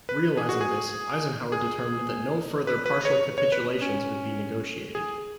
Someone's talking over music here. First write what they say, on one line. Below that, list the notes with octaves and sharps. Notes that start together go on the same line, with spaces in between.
Realising this, Eisenhower determined that no further partial capitulations would be negotiated.
B4
G#4
F#4
G#4
G#4
B4
B4
C#5
C#5
B4
C#4
G#4